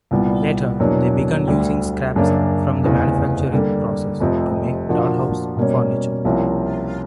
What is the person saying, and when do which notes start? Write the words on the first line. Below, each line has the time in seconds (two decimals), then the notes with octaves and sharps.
Later, they began using scraps from the manufacturing process to make dollhouse furniture.
0.11 C2 A#2 G3 B3
0.80 E2 B2 F#3 A#3 D4
1.47 D2 D3 G3
2.16 F#2 C#3 F#3 A#3 D4
2.83 F1 E2 C#3 E3
3.52 D3 G3 A#3
4.20 F1 F2 C3
4.89 A#2 F3 A#3 D4 F#4
5.57 B2 G3 A#3 C#4
6.25 C2 C3 F3 A#3 C#4